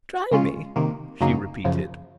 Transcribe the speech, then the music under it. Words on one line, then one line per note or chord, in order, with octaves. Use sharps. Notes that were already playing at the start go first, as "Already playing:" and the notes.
"Try me," she repeated.
C#3 G#3 C#4 F4
C3 D#3 A#3
F#2 C#3 F#3 A#3 D#4
F#2 C#3 F3